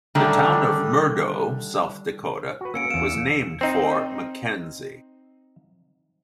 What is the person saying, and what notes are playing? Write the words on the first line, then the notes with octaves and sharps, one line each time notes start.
The town of Murdo, South Dakota was named for Mackenzie.
D3 D#3 G3 A3 C#4
F#4 B4
A#3 C#4 E6 C#7 D7
E2 F5 D7 E7
C4 D#4